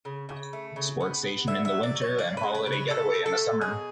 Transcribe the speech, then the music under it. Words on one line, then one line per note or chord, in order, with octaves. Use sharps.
Sports station in the winter and holiday get-away in the summer.
C#3
C#3
A3
C#3
B3
B3
D3 E5
E5
F#3
D5
F#3
C#5
C#4 D5
B4
G#3
B4
C#3
B4
A3 A4
A3
A4
F#3
B2 G#4